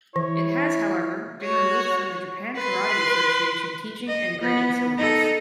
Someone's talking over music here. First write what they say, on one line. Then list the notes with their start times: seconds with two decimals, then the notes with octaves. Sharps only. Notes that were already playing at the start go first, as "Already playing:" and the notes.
It has, however, been removed from the Japan Karate Association teaching and grading syllabus.
0.16 E3 E4 C#5
1.42 F#4 C#5
2.56 B4 C6
4.07 D#5
4.42 B3
4.98 D#4 A4